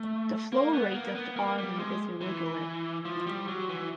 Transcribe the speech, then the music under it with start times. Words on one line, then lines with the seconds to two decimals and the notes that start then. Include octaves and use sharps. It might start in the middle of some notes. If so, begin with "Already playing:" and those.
The flow rate of the Arno is irregular.
Already playing: A3
0.52 A#3
0.73 B3
0.95 A#3
1.15 B3
1.36 A#3
1.58 G3
1.79 G#3
2.21 E3
3.05 F3
3.26 G3
3.48 F#3
3.69 E3